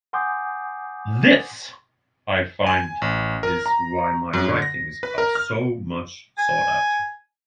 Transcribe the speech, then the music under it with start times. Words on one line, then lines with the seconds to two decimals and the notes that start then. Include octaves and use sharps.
"This" I find is why my writings are so much sought after.
0.13 F#5 G#5 C6 D6 D#6 G6
2.67 G#5
3.02 A1
3.43 A#4
3.66 A#5
4.33 F#2
4.48 D3
4.62 A#6
5.03 B4
5.18 A#4
5.35 F6
6.38 G#5